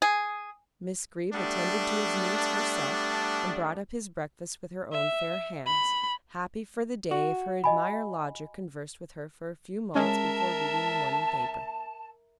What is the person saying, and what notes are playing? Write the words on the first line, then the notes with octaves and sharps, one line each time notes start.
Miss Greeb attended to his needs herself, and brought up his breakfast with her own fair hands, happy for the day if her admired lodger conversed with her for a few moments before reading the morning paper.
G#4
G3 A3 B3 D4
E5
B5
F#4
D#5 G#5 B5
G#3 C#4 A#4 E5 A5